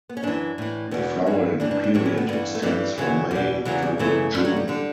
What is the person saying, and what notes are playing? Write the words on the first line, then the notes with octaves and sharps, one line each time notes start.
The flowering period extends from May through June.
B3
C#4
F#2 E3 D4
A2 E3
E2 B2 B3
G2 E3
G2 E3 D4
D4
D4
A2 E3 D4
C#4
B3
G2 E3 B3
A3
G2 E3 G3
F#2 C#3 E3
E2 B2 G3
E2 C#3 E3 F#3
G3
F#2 C#3 E3 A3
G2 D3 A3
F#3
G3
D3 G3